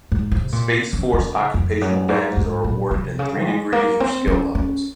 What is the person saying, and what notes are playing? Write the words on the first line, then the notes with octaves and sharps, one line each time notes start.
Space Force occupational badges are awarded in three degrees or skill levels.
G#2
C3
A#2
C#3
C#3
F2
F#2
G#2
G#2
A#2
C3
C#3
G#3
A#3
C4
C#4
C#4